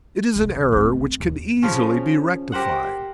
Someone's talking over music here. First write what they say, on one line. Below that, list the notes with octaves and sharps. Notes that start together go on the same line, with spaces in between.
"It is an error which can easily be rectified."
C2
D#3
A3 C4
D#2
C#3 F3 C#4
G4 A#4 C5 F#5